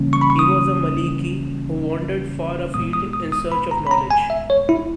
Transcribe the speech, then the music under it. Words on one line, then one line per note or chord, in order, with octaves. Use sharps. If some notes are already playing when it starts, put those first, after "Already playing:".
He was a Maliki who wandered far afield in search of knowledge.
Already playing: C#3 E3 G3 A#3 C#4
C#6
B5
C#6
D#6
A#2 G#3 B3 D#6
D#6
D#6
D#6
B5
A#5
B5
A#5
G#5
E5
C#5
E4